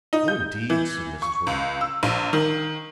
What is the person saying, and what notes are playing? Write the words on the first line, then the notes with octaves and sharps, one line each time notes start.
"Oh, indeed!" said Mrs. Roper.
D#4
G6
E3
C#6
C#2
E6
A#1
D#3